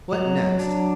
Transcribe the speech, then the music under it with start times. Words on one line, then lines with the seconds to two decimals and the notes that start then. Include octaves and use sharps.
What next!
0.13 F#3
0.60 D4